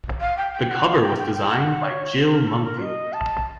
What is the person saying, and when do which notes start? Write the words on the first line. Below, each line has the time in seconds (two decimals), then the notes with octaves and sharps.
The cover was designed by Jill Mumfield.
0.21 F5
0.37 G5
0.53 G5
0.70 F#5
0.86 F5
1.02 G5
1.18 G5
1.35 G5
1.51 F#5
1.83 C#5
2.16 C5
2.33 A#4
2.44 A#4
2.49 A4
2.64 A#4
2.82 D#5
3.13 A5